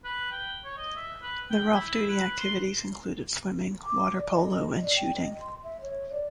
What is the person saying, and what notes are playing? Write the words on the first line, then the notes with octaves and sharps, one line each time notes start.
Their off-duty activities included swimming, water polo and shooting.
B4
G5
C#5
D#5
E5
B4
G5
E4
B4
C6
D6
D5
D#5
D#5
D5
G5
D#5
C6
E5
C#5
D5